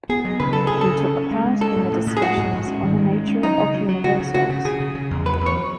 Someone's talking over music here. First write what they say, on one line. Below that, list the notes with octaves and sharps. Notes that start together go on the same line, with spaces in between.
He took part in the discussions on the nature of Universals.
B3 G#4
F#3
C#3 B4
F#3 A4
C#3 G#4
C#3 A4
C#4
C#4
G#3
G#3
C#4 A4
A2
A2
A2
G#4
G#3 F#4
G#2
G#2
C#4
D#3
G#3
G#3
C#4
F#3 D#4
C#3
F#3
F#3
C#3 F#4
C#3
C#3 F#4
C#3
C#3 G#4
C#3
C#3
E2
F#3 B4
E2
C#5